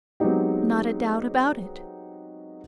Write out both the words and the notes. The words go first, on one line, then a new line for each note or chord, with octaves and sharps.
"Not a doubt about it."
F#3 G#3 B3 C4 D#4 G4